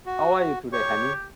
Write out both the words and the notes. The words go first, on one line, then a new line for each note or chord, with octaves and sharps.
How are you today honey?
F#4
G4 C#5 C#6